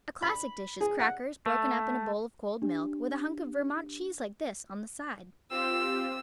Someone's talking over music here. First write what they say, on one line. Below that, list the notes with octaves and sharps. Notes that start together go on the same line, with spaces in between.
A classic dish is crackers, broken up in a bowl of cold milk, with a hunk of Vermont cheese like this on the side.
B5
G#4
F#5
A3
D4 G4
C4 F4 G4 E6